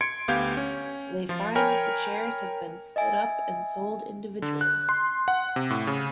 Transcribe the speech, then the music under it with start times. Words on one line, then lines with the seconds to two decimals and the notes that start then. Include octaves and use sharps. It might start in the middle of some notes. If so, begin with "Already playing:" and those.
They find that the chairs have been split up and sold individually.
0.01 C6 G#6 C#7 D7
0.28 D2 B3 G4 F5 G6 G#6
0.57 C#4
1.29 F3 F4
1.55 A#4 C#5 G5 G#5 B5
2.96 D#5 E5 G#5
4.42 D3
4.61 F#6
4.89 C6
5.28 F#5
5.56 C3
5.70 A2
5.87 C#3